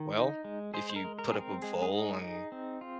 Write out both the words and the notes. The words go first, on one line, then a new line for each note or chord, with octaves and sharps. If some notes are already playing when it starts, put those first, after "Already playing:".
Well, if you put up a poll and
Already playing: D#3
D#4
G#3
G#3 G#4 C5
C5
A#4
G#3
A#4
C4 G#4
A#4
G#3 G#4
G#4
D#4
D#4
C4
F4